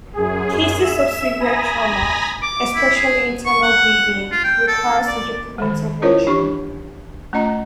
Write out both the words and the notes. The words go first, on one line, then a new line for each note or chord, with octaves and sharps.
Cases of severe trauma, especially internal bleeding, require surgical intervention.
F#2 G#4
E5 E7
G#5 A#5 B5 D#6 A#6
D6
E4
G#4
C#6
F#5
F4
G5
A4
D5
D#3 G#3
C#4 E4 F4 A#4 C5 C#5
E3 D4 G4 B5 C#6
A3 C#4 F4 D#5 A#5